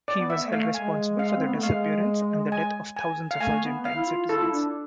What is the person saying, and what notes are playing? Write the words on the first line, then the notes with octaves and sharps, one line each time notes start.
He was held responsible for the disappearance and the death of thousands of Argentine citizens.
D5
B3
E5
A3
F5
G#3 G#5
F5
C4
B3
A3
G#3 F5
G#5
G#5
F5
A3 G#5
B3
F5
E4
F4
E4 A4
F4
E4
D4